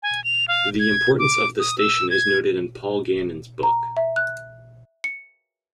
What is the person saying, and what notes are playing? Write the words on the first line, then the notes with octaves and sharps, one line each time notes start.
The importance of the station is noted in Paul Gannon's book.
G#5
F7
F5
G#6
D6
D#6
E6
G#6
A#5
E5
F#6
C#7